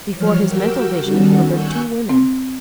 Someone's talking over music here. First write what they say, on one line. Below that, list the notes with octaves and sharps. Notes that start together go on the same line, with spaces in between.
Before his mental vision hovered two women.
E3 F3 G3 C#5 F6
F#4 G4 A#4 G5 E6
D#3 G3 B3 C#4 F#4 A4
G#5 C#6 E6 F#6 G6
C4